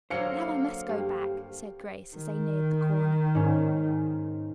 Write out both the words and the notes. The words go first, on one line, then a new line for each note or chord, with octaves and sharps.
"Now I must go back," said Grace, as they neared the corner.
D3 F#3 A#3 C5 F5 C#7
G2 G4
D#3
G#2 C#4